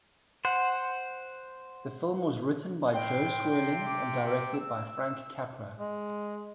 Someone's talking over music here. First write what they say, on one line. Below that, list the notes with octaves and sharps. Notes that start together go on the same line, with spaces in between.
The film was written by Jo Swerling and directed by Frank Capra.
C5 F#5
A2 G5 C6
C3
D6
E6
G#3